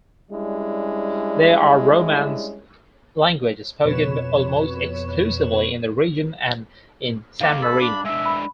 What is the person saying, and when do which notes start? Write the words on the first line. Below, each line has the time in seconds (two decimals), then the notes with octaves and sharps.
They are Romance languages spoken almost exclusively in the region and in San Marino.
0.31 G3 G#3 C#4 D4 E4
3.83 F2 B2 B4 C#5 E7
7.41 D#3 A#3 F5 D6
7.62 A4 B5
7.81 D4
8.05 G#3 D4 E5
8.26 B5